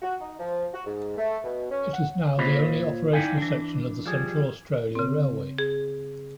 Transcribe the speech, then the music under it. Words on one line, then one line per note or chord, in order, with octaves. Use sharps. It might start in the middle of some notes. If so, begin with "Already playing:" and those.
It is now the only operational section of the Central Australia Railway.
F#4
D#4
F3
F#4
G#2
A3
B2
C#4
F#5
A#2 F4 C5 C#5 D#5 B5
D#4 E4 D5 F5 G5 G#5
E3 D4
F3 G3 G#4
C#3 C4
G#4